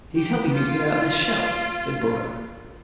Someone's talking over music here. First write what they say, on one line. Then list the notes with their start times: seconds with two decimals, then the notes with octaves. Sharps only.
"He's helping me to get out this shell," said Borrowe.
0.16 G4
0.53 F4